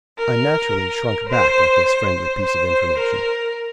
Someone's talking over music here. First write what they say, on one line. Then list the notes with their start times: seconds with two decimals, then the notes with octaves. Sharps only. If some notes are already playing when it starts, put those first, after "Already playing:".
I naturally shrunk back at this friendly piece of information.
0.17 A#4
1.29 C5
1.85 C5
2.42 C5
2.98 A#4